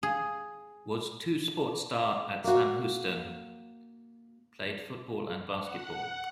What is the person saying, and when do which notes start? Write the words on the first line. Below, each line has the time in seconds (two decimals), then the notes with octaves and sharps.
Was two sport star at Sam Houston played football and basketball.
0.03 G#4
2.44 A#3 F#4
5.58 F#5